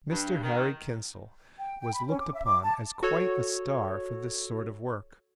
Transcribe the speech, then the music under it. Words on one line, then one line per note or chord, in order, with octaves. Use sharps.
Mr. Harry Quincel was looked upon as quite a star for this sort of work.
G2
D#3
G5
G5
B5
C#4
D6
E5
D6
A5
F#4 A4 C#5